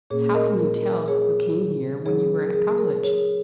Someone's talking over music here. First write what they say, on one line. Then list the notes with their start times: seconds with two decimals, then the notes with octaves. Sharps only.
How can you tell who came here when you were at college?
0.10 A#2 A#3 C#4 G#4 C#5
0.34 A#4 D#5
0.60 A#4
0.83 A#4
1.08 G#4 C#5
2.06 C#3 F#3 C#4 G#4 C#5
2.45 A#4
2.54 G#4
2.78 A#4
3.03 G#4 C#5